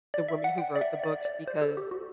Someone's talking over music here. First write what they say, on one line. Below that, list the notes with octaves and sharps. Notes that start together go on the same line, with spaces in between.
the woman who wrote the books, because
D5
E5
F#5
G5
D5
E5
D5
D5
C5
A4
G4
F#4